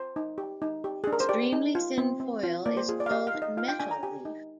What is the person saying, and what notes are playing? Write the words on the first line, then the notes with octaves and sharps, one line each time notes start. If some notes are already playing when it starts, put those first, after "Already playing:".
Extremely thin foil is called metal leaf.
Already playing: C5
D#4
G4
D#4
G4
D4 G#4
A#4
C5
G4 D5
D#4
F4
C4
C4
F4
A#3 D5
C5
F4 G#4
D5
F5
G4 D#5
F5
D#4
D#5
F4 F5
G5
D4 G#5
A#5
G4 G#5
D#4